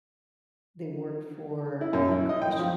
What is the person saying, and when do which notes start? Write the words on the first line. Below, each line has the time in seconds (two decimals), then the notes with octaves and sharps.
they work for oh gosh,
1.81 E4
1.93 F#2
2.11 E4
2.29 D#5
2.42 G5
2.59 F3